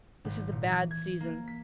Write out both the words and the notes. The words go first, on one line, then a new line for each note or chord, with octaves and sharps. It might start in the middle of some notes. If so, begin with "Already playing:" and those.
This is a bad season.
G#1
A#2
E3
G#6
A#3
B6